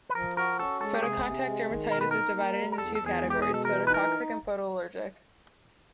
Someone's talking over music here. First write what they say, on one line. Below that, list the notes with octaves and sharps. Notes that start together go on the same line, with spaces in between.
Photocontact dermatitis is divided into two categories: phototoxic and photoallergic.
B4
F3 A#4
F#4 A#4
C#4 A4
G#3 A4
G4
C3 G#4
C3
G#3
D#3
B2 A#4
B4
D#4 A#4
A#3
G3
A#4
E2 A4
E2 A4
G#4
G#3
G4
B2 G#4
A4
E3 A#4
D#4 B4
A#4